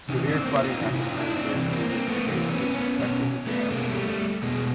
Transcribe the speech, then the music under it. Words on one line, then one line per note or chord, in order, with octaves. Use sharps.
Severe flooding has occurred during previous decades which affected the dam.
C3 E3 C#4 D#4
C4 D4
A#3 C4
D#4 F4
C3 E3 E4 F#4
E4
D#4 F4
D4 E4
C4 D4
C3 E3
A#3 C4
A#3 C4
A3 B3
C3 E3 A#3 C4
B3 C#4
B3 C#4
B2 B3 C#4
A3 B3
B2 G#3 A#3
G3 A3
G3 A3
B2 G#3